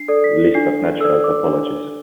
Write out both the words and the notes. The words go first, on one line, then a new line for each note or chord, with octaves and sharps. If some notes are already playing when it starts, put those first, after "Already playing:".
List of natural topologies.
Already playing: D4 C7
A4 D5
B6
D4 C7
A4 D5 E6
D6
D4